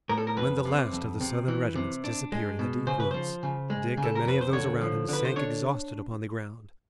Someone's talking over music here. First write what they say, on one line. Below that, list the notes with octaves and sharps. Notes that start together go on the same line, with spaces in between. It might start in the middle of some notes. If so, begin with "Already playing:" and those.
When the last of the Southern regiments disappeared in the deep woods, Dick and many of those around him sank exhausted upon the ground.
A2 A#4
A4
A#4
F2 B4
C3
F2
C3
E3
C3
D4
G#3
B2
C#3 C5
B4
F3 C5
C#3
G#3
C#3
A4
A#4
F2 B4
C5
D3 C#5
F3
D3 B4
C5
D4 C#5